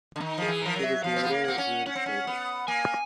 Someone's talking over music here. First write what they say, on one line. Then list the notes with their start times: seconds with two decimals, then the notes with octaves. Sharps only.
He was later reinstated.
0.16 D3
0.21 D#3 D#4
0.38 F3 G#4
0.48 E3
0.62 F3 A#4
0.76 F#3
0.83 E5
1.03 F3 F5
1.16 C4
1.23 B3
1.31 A#3
1.45 C4 F#5
1.58 C#4
1.86 C#4 F#5
1.95 C4
2.06 C#4
2.27 B3
2.68 A#3 G#5